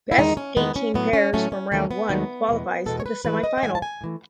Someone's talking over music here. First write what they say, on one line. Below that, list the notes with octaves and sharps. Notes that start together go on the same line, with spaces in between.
Best eighteen pairs from round one qualifies to the semifinal.
E4
E2 D#3 G#3 D#4
C#4
E2 D#3 G#3 B3
C#4
A2 F#3 A3 B3
C#4
A2 F#3 A3 C#4
C#4
D#2 D#3 F#3 A3 C#4
B3
D#2 D#3 F#3 A3
E2 B2 G#3
E2 B2 G#3 A4
C#5
B4
G#2 E3 G#3 B4
D#5
F#5
G#2 E3 G#3 G#5
A5
G#5
A2
E3 A3